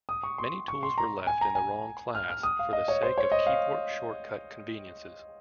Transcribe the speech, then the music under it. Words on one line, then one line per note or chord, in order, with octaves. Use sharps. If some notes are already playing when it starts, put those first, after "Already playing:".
Many tools were left in the wrong class for the sake of keyboard-shortcut conveniences.
D#6
C#6
C6
C#6
C6
A#5
G#5
A#5
G#5
F6
F6
D#6
F5
D#5
C#5
C5
C#5
D#5
F5